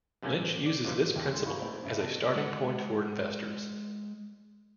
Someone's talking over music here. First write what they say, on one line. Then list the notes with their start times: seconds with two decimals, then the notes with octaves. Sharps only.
Lynch uses this principle as a starting point for investors.
0.23 F#2 C3 A3 A#3 C#4
0.38 A1
0.66 D5
0.85 D#2 C3 E3 F3
1.15 G1 D#2 A#2 D#3 A4 G5
1.32 G#3
1.45 D#4 E4 F#4 F5 B5 C#6
1.58 A3 C4 E4 C5
1.82 G2 C#3 E5
1.96 F#1 B2 G3 A5 D7
2.35 G#3 F#5